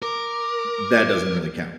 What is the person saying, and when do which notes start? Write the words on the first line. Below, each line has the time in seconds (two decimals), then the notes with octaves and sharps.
that doesn't really count.
0.02 A#4 D6